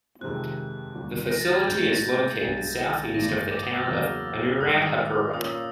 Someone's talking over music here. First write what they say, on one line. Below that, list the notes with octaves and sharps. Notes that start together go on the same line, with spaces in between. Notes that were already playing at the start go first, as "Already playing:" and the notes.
The facility is located southeast of the town of Anuradhapura.
F2 C3 D#3 G#3 C4 F#6
D#2 D3 G3
A#6
A6
G#6
A#1 G#2 F3 A3 C4 G6
B1 B2 G#3 B3 D4
G1 G2 E3 A3 A#6
A6
G6
D6
D#6
E6
E2 C#3 F#3 A#3 F6
G#1 G#2 D#3 G3 D#6
A#2 F3 A#3 C#4 F4 D#6
E6